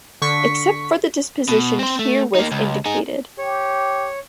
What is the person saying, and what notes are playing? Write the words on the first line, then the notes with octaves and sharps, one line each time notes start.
Except for the dispositions herewith indicated.
D3 C#6 B6
B2
C4 C5
A3
A#3 D#4
C#2
D#4 G#4
G4 C#5